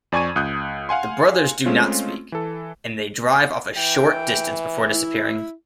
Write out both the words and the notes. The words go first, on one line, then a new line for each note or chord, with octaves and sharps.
The brothers do not speak, and they drive off a short distance before disappearing.
F2 D5 G#5 C#6 G#6 D#7
C#2 D#6 F#6 G6
F5 F#5 G#5 C6
G#3 A3 C4 C#4 F4
E3 A4
E3 G5
E4